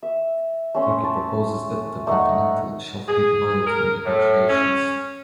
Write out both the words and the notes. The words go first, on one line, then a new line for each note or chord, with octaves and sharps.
Turkey proposes that the continental shelf be divided through negotiations.
E5
A3 C#4 C6
A5
A3 D#4 F#5
G#4
A#4
A2
C#4